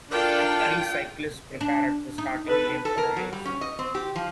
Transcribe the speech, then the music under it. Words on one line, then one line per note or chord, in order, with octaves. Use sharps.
Three cyclists prepare at the starting line for a race.
D4 F4 A4 A#4 D5 G5
D4
D#4
A4 B4
A4
A#4
F#3
G3
C#4
D#5
C4
G4
F3